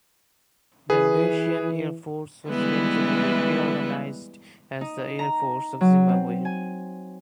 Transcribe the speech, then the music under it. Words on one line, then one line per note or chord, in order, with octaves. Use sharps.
The Rhodesian Air Force was eventually reorganised as the Air Force of Zimbabwe.
E3 G#4 B4
E3 G3 G#3 B3 E4 B4
D#4
A#5
F#3
C4
G#5